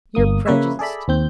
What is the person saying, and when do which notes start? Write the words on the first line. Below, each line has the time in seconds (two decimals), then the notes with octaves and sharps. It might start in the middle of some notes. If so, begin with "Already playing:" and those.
"You're prejudiced."
0.15 G1 A#3 D#6
0.45 C#3 A#3 B4 C#5 E5
0.79 G#4 A4 D5 E5 B5
1.08 D#2 C4 G6